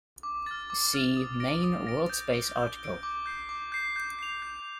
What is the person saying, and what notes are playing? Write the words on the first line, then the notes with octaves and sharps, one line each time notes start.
See main WorldSpace article.
D6
F6 A6
D6
F6 A6
D#6
A#6 D7
D#6
A#6 D7
G6
D7 G7
G6
G7
D7
D6
G6 C7
D6
G6 C7
G6
C7 F7
G6